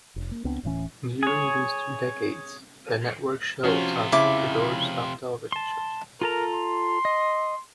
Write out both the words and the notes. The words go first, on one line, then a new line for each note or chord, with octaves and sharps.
During these two decades the network showed some of Ecuador's top television shows.
F1
A#3
C#2 B3 C4 D4
D1 A2 E3 C#4
G#4 C#5
C3 F3 C#4 F4 F#4
C#3 E4 D6
A5 C6
F4 A4 A#4 A#5
C6
D#5